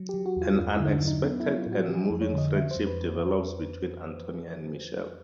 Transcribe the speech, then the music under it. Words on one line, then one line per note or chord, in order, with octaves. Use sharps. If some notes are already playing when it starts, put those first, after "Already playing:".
An unexpected and moving friendship develops between Antonia and Michele.
Already playing: F#3
G4
F#3
F#4
E2 F4
G2 F4
E4
D3
D#4
D4
F#3
D#4
B3 D#4
E4
F#3
F4
A2
F#4
F3 G4
G#4
F2
C#5
D3 D#5
F3 E5
C5
F2
B4